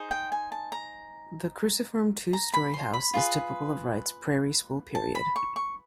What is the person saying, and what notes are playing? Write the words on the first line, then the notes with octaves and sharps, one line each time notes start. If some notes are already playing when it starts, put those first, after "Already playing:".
The cruciform two-story house is typical of Wright's Prairie School period.
Already playing: D#4 G#4 C5
G5
G#5
A5
A#5
A#5
B5
C6
B5
F4 G#4 B4
A5
B5
C#6
C#6